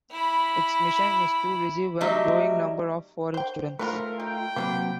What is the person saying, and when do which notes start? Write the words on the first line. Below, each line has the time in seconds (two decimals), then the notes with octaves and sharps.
Its mission is to receive a growing number of foreign students.
0.11 E4 B5
2.01 F#3 G3 A3 D#4 D#5 E5
3.34 C5 G5
3.79 D#3 F3 A3 F4 A#4 B4
4.20 D#4 G5
4.56 C3 F#3 A#3 B3 A4 B4